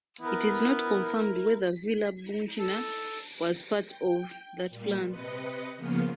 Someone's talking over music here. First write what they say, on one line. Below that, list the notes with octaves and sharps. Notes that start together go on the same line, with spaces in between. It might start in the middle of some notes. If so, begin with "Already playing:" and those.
It is not confirmed whether Villa Bouchina was part of that plan.
B3 E4 A#4
A4
G5
A#2 G3
C3 B4 D#5 C#7
C#3 F3 A#3 B3 C#4 F4